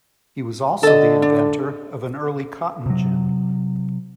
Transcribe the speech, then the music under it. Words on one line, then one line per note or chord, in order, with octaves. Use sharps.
He was also the inventor of an early cotton gin.
D3 A4 D#5
D4
C3 F#3